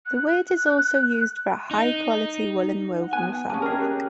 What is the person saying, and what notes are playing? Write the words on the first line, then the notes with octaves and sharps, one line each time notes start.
The word is also used for a high quality woolen woven fabric.
F#6
D#4
F#5
B3 G#5 F#6
A#3 C#4 G#4 A5 D#7
C#4 G4 G#4 A#4 D#5 F6
F#6